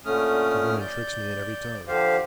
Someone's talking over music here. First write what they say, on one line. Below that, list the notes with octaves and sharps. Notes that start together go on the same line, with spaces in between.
The woman tricks me at every turn!
A#2 D3 A3 C#4 D#6 F6
D5 G6
D3 F3 G4 C5 F5